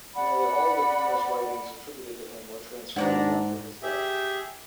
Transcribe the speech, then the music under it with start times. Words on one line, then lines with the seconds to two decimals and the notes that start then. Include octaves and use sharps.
Nearly all of the numerous writings attributed to him were transcribed after his death.
0.14 D5 F#5 B5
2.96 D#2 G#2 D4 F#5 G5 A#5
3.82 G4 G#4 E5